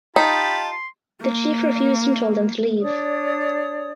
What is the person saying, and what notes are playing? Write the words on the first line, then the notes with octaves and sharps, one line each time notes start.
The chief refused and told them to leave.
D#4 F4 G4 A5 B5
C6
A#3
D4 C#5 D5 D#6